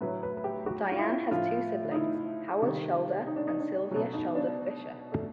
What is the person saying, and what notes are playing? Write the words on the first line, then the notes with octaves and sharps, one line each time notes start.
Diane has two siblings, Howard Schulder and Sylvia Schulder Fisher.
A2 F#3 B4
B4
B4
G4
F#4
F4
E4
A2 F3 F4
D#4
E4
C3 D#3 G3
D#4
D4
D#4
D4
B2 F#3 C#4
D#4
D4
A3